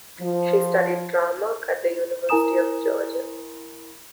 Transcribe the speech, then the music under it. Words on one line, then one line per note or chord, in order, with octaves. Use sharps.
She studied drama at the University of Georgia.
F3
E4 A#4 G#5 A#5 D#6 E7